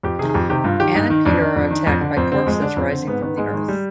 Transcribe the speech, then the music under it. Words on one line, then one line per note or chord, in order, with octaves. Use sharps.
Anne and Peter are attacked by corpses rising from the earth.
F2 G4
C3 D#3 G#4
G#4
F2 G4
C3 D#3 G4
G2 F4
D#3 G4
G2 D#4
D#3
F2 D4
D#3
F2
D#3
F2
D3
F2 C4
D3 C4
F2 G#3
D3 D4
F2 C4
D3
G#2 B3
D#3 B3
G#2 G#3
D#3
G3